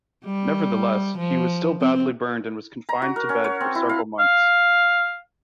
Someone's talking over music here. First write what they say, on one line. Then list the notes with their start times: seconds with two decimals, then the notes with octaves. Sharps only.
Nevertheless, he was still badly burned and was confined to bed for several months.
0.25 G3
1.17 F3
1.80 C4
2.89 A#5
3.02 F#4
3.16 A#4
3.29 C#4
3.44 C#5
3.61 C4
3.75 E4
3.89 F5
4.20 F5